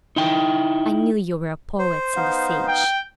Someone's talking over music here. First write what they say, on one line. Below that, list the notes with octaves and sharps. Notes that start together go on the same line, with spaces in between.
"I knew you were a poet," said the sage.
D#4 E4 G5
C5
B3 D#4 F5
G5